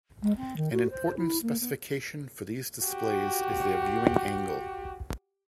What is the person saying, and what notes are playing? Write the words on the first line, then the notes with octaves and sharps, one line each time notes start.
An important specification for these displays is their viewing-angle.
G#3
C4
D#3
F#4
C5
E4
A#3
B3
F#4 G4